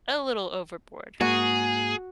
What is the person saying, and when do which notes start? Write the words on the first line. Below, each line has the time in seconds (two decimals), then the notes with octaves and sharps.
a little overboard
1.21 G#2 A#3 F#4 G#4